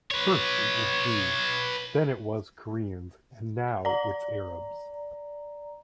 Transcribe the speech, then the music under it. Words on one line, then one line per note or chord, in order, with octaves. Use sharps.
First it was Jews, then it was Koreans and now it's Arabs.
B4 C#5
D5 A#5